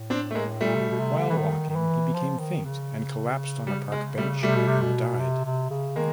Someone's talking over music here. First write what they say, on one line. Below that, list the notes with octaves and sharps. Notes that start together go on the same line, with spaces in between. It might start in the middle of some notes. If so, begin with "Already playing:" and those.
While walking he became faint and collapsed on a park bench and died.
Already playing: A2
C4 D4
A3
G#3 A#3
A#2 G3 A3
C3
B2
B2
C3
D3
E3
D#3
D#3
E3
F3
D#3
C#3
G3
G#3
G3 A3
C3 G3 A3
B2
C3
B2
C3
C3
C#3
D#3 G#3 A#3